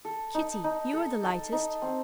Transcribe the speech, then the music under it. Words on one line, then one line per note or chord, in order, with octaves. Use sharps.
Kitty, you are the lightest.
A4
D#4
D#4
A4
A4
D#4
C4